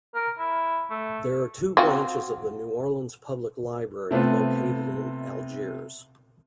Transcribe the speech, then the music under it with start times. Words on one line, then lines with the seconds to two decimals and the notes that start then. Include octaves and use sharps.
There are two branches of the New Orleans Public Library located in Algiers.
0.15 A#4
0.39 E4
0.90 A3
1.77 C4 F4 F#4
4.11 C3 A3 B3 C4 F4